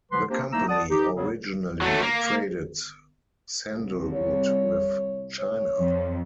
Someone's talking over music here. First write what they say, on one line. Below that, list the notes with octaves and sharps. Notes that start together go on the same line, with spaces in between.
The company originally traded sandalwood with China.
C#2 D3 F3 B4 C6
A#3 C4 D4 G4 C5
C2 A3 A#3 D#4 A#5 E6
D5 F#5 A5 D#6
D#4 G4
E2 C#3 F#3
F#3 A3
A#3
C2
C#5
C#5
F2